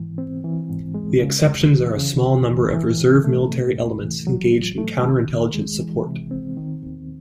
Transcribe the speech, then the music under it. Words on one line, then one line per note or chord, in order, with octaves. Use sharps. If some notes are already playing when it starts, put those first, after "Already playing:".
The exceptions are a small number of reserve military elements engaged in counter-intelligence support.
Already playing: G#2 E3
C4
E3
G#2
G#3
C#3
E2
E3
C#3
D#2
E3
E3
A2
A3
C3
E2
E3
F#3
A2
A3
D#3
D#2
G#3
E3
C3
C4
D#3
D#2